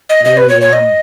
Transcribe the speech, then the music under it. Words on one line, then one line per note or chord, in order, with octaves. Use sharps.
Oh, yum.
D#5
D#5
B4
C#5
C#5
D#5